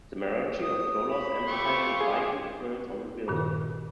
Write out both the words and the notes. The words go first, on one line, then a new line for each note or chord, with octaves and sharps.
The majority of scholars emphasise the Viking influence on the birlinn.
D#6
B5
A3 F4 G4 C#6
G#4 F5
G2 A#2 D#3